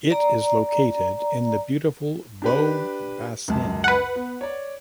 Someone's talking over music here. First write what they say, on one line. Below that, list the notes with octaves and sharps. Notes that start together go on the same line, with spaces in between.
It is located in the beautiful Beau Bassin.
D5 A#5
D4 G4 B4
C#2 F#2 A5
B4 F#5
B3
C#5 D5